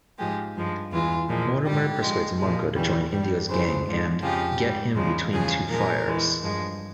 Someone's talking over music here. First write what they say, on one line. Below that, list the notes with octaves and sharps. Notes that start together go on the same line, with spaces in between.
Mortimer persuades Manco to join Indio's gang and "get him between two fires".
G#2 F3 G#3 G4
G2 F3 G#3
E2 E3 G#3 F4
A#2 F3 G#3
G#2 G3 G4
G#2 F3 G#3
A#2 F3 G#3
E2 C#3 E3 G3
G2 G3
F2 C#3 E3 C5
G#2 F3 G#3
F2 C#3 F3 G#3 G4
G#2 G3
E2 C#3 F3 G#3
E2 C#3 F3 G#3 G#4
A#2 F3 G#3 A#4
E2 E3 G#3
G2 F3 G#3